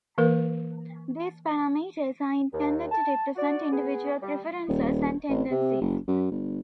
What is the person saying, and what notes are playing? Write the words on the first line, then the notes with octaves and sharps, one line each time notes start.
These parameters are intended to represent individual preferences and tendencies.
E3 A#3 A#4 B4
D#2
A5
F#4 D5
B3 G#4
G3
D#1
A1
C3
F#1
F#2
G1